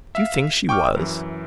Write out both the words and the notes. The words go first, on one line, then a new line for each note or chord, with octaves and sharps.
Do you think she was?
E5 F5
G5 C#6 D6 F6
F#2 E3